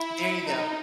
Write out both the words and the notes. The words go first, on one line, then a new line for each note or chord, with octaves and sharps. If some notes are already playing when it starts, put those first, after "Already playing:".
There you go.
Already playing: E4
D#4